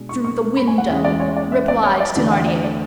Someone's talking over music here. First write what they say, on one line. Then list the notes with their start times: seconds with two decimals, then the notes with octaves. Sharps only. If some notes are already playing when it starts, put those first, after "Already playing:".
"Through the window," replied Thenardier.
Already playing: B2 G#3 D4
0.09 C#6
0.24 C#6
0.57 B5
0.67 G#5
0.78 F#5
0.88 E2 C#3 G#3 E5
1.05 D5
1.20 C#5
1.37 D5
1.52 E5
1.68 D5
1.84 C#5
2.00 D5
2.15 E2 D3 F#3 A3 D4 E5
2.31 F#5
2.47 D5
2.64 D5